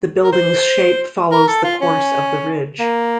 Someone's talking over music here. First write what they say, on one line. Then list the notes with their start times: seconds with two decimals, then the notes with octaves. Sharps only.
The building's shape follows the course of the ridge.
0.23 A#4
0.32 C5
1.31 A#4
1.48 A4
1.64 F4
1.81 C#4
2.79 A#3